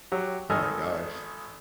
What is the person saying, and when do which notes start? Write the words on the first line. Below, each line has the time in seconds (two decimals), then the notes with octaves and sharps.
Oh my gosh.
0.12 F#3 G4
0.50 G#1 D#3 A4 D#5 G#5 F6